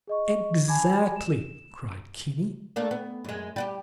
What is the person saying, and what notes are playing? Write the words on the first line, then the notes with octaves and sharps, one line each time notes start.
"Exactly!" cried Kinney.
G#4 D#5 C#6
G#5 A5 B5 D6 G#6
E7
A3 A#3 D4
B3
F#2 G#3
G3 F#4 G4